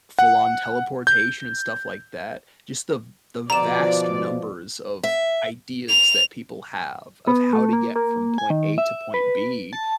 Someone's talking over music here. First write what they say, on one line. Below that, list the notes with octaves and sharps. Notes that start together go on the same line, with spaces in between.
full-on teleportation and stuff like that. Just the the vast numbers of ideas that people have of how to get from point A to point B,
F#5
G6
B2 D3 F3 D5 A#5 E7
E5
F7
B3
A3
A#3
A#3
G#5
D#3
E5
B4
A5